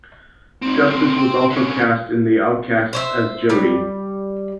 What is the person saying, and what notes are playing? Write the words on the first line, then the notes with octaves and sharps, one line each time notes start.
Justice was also cast in The Outcasts as Jodie.
C4 D#4
D3 C4
G5 C6
D3 C#4
C5 C#5 E5
G3